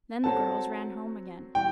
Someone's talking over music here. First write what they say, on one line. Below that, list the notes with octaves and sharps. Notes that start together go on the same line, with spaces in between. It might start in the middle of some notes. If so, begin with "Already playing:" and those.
Then the girls ran home again.
F#3 C4 F#4 A4 A5
E3 G3 G5